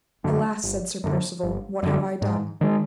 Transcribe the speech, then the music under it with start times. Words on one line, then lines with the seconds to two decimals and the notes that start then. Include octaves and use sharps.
Alas, said Sir Percivale, what have I done?
0.24 F#2 D3
0.64 G1
1.04 F#2 D3
1.43 G1
1.83 F#2 D3
2.22 G#2
2.61 D#3 G#3